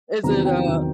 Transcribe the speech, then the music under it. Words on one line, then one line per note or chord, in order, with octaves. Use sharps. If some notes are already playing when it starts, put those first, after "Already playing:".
Is it a
E2 C3 D#3 F#3 A#5
G5
E2 C3 D#3 F#3